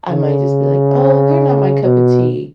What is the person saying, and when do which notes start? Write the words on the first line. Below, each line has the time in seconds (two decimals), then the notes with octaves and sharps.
I might just be, like, "Oh, they're not my cup of tea."
0.11 C#3
1.83 B2